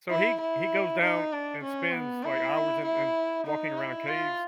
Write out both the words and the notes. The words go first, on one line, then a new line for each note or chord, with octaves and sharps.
So he he goes down and spends, like, hours and and walking around caves?
E4
E4
D#4
D4
C#4
B3
E4
E4
D#4
E4
F4